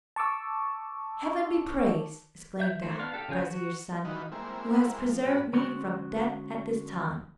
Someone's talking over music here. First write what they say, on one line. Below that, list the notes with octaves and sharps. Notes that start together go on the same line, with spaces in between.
"Heaven be praised," exclaimed the vizier's son, "who has preserved me from death at this time!"
A5 C#6 D6 E6
E5 G6
D#3 A3 C5
B3 D4 F5
G4 A4 F5
C#3 F3 G#4 C#5 G6
F#4
D#3 E3 D#4 F4 F#4 B4
G3 G#3 A#3 C4 E4
F3
G#2 F#4 B5
D3 G#3 C#4 D4 F#4 C5